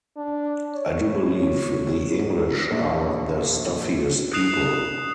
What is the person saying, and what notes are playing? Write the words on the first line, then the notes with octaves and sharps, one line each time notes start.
I do believe the English are the stuffiest people!
D4
C#5
A#1
D#6 F#6 C7 E7 F7